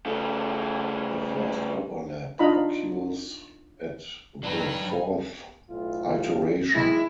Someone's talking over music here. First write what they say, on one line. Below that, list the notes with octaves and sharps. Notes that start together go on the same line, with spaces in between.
The first overlap occurs at the fourth iteration.
C#3 A3
D4 D#4 F4 D#5 A#5 B5
F#3 D4 D#4 B4 G#5
B1 A2 F4
D#3 E3 G#3 E4